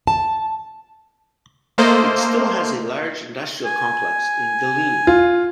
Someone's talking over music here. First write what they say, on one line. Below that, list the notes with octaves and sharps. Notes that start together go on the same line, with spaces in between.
It still has a large industrial complex in Geleen.
A5
A3 A#3 A4 C5 D#5
G#5
F4